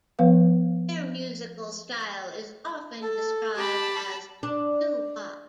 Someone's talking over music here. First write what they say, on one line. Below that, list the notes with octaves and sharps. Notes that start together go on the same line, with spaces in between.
Their musical style is often described as doo-wop.
F3 B3 B4 F5
A4
G4 A5 B5
D4